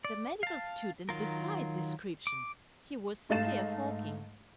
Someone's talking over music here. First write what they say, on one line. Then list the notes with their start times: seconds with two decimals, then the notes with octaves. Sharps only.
The medical student defied description: he was simply a Fokin.
0.05 D5
0.43 F5 A5
1.09 D#3 F#3 F4 A#4
2.27 D6
3.29 G#2 A3 D#5 F5 A6 E7